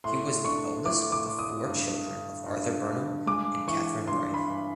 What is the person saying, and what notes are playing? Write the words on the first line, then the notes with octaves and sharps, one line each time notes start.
He was the eldest of the four children of Arthur Burnham and Katharine Bray.
A2 C6
D4 C#6
A2 D6
D6
A2
D#6
G2
G2
G2
G2
G#3 D6
E3 C#6
G2 C6
B5
G2